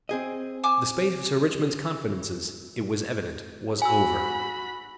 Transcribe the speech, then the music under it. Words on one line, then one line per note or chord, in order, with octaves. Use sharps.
The spate of Sir Richmond's confidences, it was evident, was over.
C4 G#4 D#5
G#5 D6 E6
F#4 G#5 B5 E6